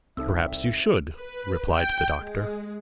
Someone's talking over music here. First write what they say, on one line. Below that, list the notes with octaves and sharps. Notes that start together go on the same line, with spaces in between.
"Perhaps you should," replied the doctor.
C2 C4 D#4 A4 E5 E6
B4
G5
G#3